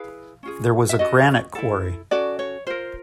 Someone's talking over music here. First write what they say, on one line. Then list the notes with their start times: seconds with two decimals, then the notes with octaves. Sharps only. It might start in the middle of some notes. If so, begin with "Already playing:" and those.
There was a granite quarry.
Already playing: E4 G#4 B4 F5
0.43 C#4 F4 G#4
0.89 E5
0.99 C#4 F#4 A4 D#5
1.55 E4 A4
2.11 C#4 F#4 A4 D5
2.39 C#5
2.67 F4 A#4 C5